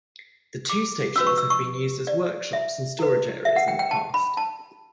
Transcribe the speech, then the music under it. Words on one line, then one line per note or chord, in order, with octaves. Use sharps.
The two stations have been used as workshops and storage areas in the past.
D6
C#4 F#4 B4 E6
C#6
E6
C#6
D5
E5
E4 B4
E5
F#5
G5
G5
A5
B5
A5